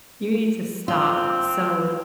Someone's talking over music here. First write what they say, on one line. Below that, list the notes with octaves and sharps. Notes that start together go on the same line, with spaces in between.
you need to stop." So,
C4 F4